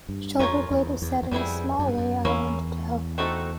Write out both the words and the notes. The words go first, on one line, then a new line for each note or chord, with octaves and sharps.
Schulberg later said: In a small way, I wanted to help...
G2
F2 C#4 F4 A#4 C#5
E2
E2
E2
F2 G3 B3 E4 G#4
F#2
G2
F#2
E2 A#3 C#4 E4
A3 C4 D#4 F#4 A4